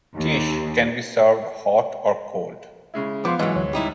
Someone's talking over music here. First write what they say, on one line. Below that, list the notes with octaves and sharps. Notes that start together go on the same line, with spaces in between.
Quiche can be served hot or cold.
D#2
C#3 G#3 E4
F3 B3 B4 F5 C6 D6
G#2 E3 F#3 D#5
D2 C#5
G3 D#4 E4